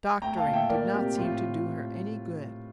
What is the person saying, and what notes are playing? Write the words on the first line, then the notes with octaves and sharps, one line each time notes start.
Doctoring did not seem to do her any good.
A3 G5 A#5
F5 A5
A#2
E5 G5
A#3 A#4 D5
C3 G4
A2 F4